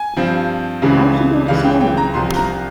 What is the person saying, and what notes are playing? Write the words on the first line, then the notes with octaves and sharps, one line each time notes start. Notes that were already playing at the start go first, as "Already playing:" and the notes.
How to build a snowman.
Already playing: G#5
G2 F3 C4
C#2 C#3 E3 G#3
C#2 C#3 E3 G#3 F5
G5
G5
A#5
C2 C3 F3 C6
A#5